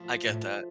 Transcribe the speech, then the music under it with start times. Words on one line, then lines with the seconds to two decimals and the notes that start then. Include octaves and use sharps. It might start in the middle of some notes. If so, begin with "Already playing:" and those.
I get that.
Already playing: F3 A3
0.25 A2